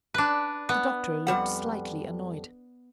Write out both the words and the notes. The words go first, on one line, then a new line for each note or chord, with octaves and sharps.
The doctor looked slightly annoyed.
D4 B4
B3
F2 G3 F#5